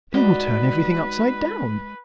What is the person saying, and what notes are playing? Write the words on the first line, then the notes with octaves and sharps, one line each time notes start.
"They will turn everything upside down."
G#3 D#4 F#4 B4 D5